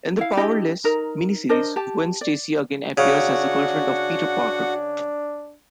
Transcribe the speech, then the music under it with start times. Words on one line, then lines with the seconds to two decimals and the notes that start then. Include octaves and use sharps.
In the "Powerless" mini-series, Gwen Stacy again appears as the girlfriend of Peter Parker.
0.19 E4 F5
0.37 D4 E4 G4 D#5
0.84 D#4 A#4
1.49 D4 A#4 C5 D#5
1.76 G4 A5
2.21 D5
2.98 C#3 D4 F#4 F#5